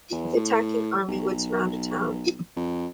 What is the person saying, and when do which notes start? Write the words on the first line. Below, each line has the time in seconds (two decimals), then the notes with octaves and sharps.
The attacking army would surround a town.
0.12 E2
0.36 A2
1.08 B1
2.56 F2